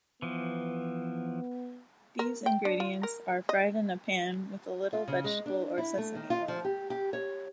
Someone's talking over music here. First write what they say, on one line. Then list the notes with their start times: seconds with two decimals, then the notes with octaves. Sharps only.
These ingredients are fried in a pan with a little vegetable or sesame oil.
0.22 E3 F3 B3
2.19 A#4
2.46 G5
2.65 D4
2.80 F4
3.03 A#4
3.49 D#5
4.93 F4
5.08 C#3
5.24 G#3
5.46 D4
5.78 E4
5.98 A3
6.15 D#3
6.30 F4
6.48 F3
6.65 G4
6.90 G4
7.13 C#5